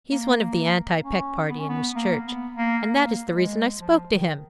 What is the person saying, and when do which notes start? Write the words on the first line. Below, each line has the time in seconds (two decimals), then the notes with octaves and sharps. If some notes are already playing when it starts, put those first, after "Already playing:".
He's one of the anti-Peck party in his church, and that is the reason I spoke to him.
0.11 A#3
1.04 C#4
1.50 B3
1.59 C#4
1.69 B3
1.95 A#3
2.26 B3
2.56 A#3
2.88 A#3
3.34 G#3
3.79 F3
4.10 D#3